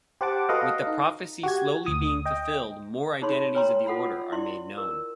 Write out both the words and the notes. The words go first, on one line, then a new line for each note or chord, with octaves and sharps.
With the prophecy slowly being fulfilled, more identities of the Order are made known.
G4 C5 F#5 A5 D6
F#4 A4 B4 D#5 F5 F#5
D#4
F#4 G4 G#6
D2 D#6
D#5 G5
D#4 G#4 C#5 B5 C6
B4 C#5 G5 A#5 C6
F4 A4 F#5 B5
E4 D5 C6
A#4